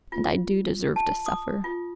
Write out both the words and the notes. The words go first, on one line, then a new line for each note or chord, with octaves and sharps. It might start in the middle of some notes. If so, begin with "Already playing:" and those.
And I do deserve to suffer.
F4
A5
D#6
F4